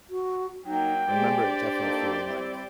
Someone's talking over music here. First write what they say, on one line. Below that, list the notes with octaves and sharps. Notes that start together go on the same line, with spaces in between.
I remember it definitely feeling like,
F#4
F#3 A#3 D#4 G5
G#3 G4 C5 D5
D4
A#3 D#4 A4
G3 C4 E4